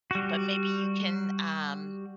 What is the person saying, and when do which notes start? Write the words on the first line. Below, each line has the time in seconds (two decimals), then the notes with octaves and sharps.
but maybe you can, um
0.11 G3 F#4